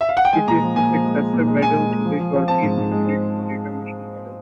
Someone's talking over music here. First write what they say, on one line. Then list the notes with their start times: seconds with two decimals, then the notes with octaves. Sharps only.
It is the successor medal to the European Community Monitor Mission Medal.
0.01 E5
0.09 F5
0.17 F#5
0.25 G5
0.33 G#3 G#5
0.47 A#2 A#5
0.62 F3
0.76 A#2 G#5
0.90 F3
1.04 G#3
1.19 G#3
1.34 A#2
1.47 G#3
1.62 A#2 G#5
1.76 G#3
1.91 G#3
2.05 F3
2.20 F3
2.34 F3
2.48 C4 A5
2.63 G#2
2.77 G#2
2.91 G#3
3.05 C4